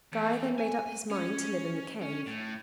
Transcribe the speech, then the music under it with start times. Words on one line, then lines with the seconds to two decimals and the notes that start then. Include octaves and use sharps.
Guy then made up his mind to live in the cave.
0.12 E2
0.58 G#5
1.10 C#4
2.01 C#4
2.26 A2